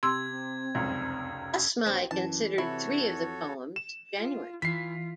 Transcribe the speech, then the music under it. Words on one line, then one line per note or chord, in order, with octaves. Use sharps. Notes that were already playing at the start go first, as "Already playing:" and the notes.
Asma'i considered three of the poems genuine.
C3 C6 E6 G#6
C4
F1 C#2 F#2
A#1 C4
F#2 E3 A5
C3 E4 F#4 A4 C#5
F2
E7
F4
E3 F4 B6 C7